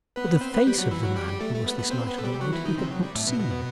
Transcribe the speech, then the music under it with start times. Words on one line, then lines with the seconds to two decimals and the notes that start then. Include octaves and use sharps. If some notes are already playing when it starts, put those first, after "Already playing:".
But the face of the man who was this light of the world he had not seen.
0.16 B3 B4
0.41 C4 C5
0.53 B3 B4
0.67 G3 G4
0.78 F#3 F#4
0.91 E3 E4
1.04 F#3 F#4
1.16 G3 G4
1.29 G3 G4
1.41 A3 A4
1.54 A3 A4
1.66 B3 B4
1.78 B3 B4
1.90 C4 C5
2.08 B3 B4
2.19 A4
2.23 G3 G4
2.41 F#3 F#4
2.53 E3 E4
2.66 D#3 D#4
2.77 C3 C4
2.91 F#3
3.03 G3
3.15 A2 A3
3.27 B2 B3
3.40 B2 B3